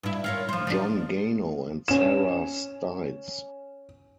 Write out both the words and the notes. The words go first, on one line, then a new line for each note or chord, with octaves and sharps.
John Gano and Sarah Stites.
G2 E4
F4 A#4 C#5
F3 C5
F3 D4
C#4 E7